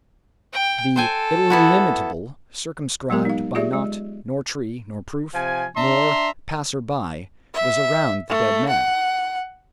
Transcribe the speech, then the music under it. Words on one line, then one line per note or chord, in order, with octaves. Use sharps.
The illimitable, circumscribed by naught, nor tree, nor roof, nor passer-by, was around the dead man.
G5
A4 C5 G5 G#5
B3 E4 F#4
F#3 G#3 B3 G4 A#4
D#4 F5
F4 G4 G#4 D5 E5
G#3
C3 F3 G#5
D4 E5 A#5 C6
E5
A3
F#5